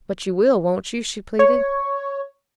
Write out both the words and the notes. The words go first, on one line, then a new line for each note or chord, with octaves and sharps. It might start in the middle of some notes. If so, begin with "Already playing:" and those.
"But you will, won't you?" she pleaded.
C#5